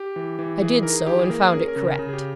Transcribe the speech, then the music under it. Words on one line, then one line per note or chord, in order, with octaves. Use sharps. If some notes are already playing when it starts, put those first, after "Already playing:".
I did so and found it correct.
Already playing: G4
E3
E3
E3 G#4
D#4 A#4
G#4
E3 G4
G#4
A#3 A#4
G#4
C#4 A#4
A#4
C#3
A#4
C#3
G#4
G4